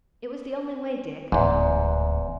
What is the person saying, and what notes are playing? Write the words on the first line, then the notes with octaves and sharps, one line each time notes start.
'It was the only way, Dick.
D1 E2 G#2